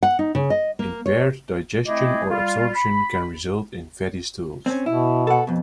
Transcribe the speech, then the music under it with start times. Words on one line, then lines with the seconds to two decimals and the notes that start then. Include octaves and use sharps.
Impaired digestion or absorption can result in fatty stools.
0.03 F#5
0.19 D#4
0.35 C#3
0.50 D#5
0.79 A#3
1.06 C#5
1.87 A3 C4 E4 G#4 D5 D#5
2.30 G3 F4
2.74 B5
4.66 C4 C#4
4.86 B2 E4
5.27 A4 F#5
5.47 F2 B2